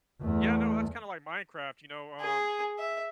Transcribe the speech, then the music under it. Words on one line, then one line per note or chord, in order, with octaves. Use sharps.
Yeah, no, that's kinda like Minecraft, you know, um
E2 A3
G#4
E5